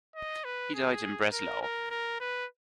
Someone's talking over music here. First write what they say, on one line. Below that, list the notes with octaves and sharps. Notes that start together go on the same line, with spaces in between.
He died in Breslau.
D#5
B4
G#4
A#4
A#4
A#4
B4